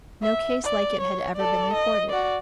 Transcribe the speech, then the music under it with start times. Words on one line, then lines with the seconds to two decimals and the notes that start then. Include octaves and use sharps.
No case like it had ever been reported.
0.22 E5
0.64 D5
1.01 C#5
1.36 A4 D5
1.73 D#5
2.09 F#4 D5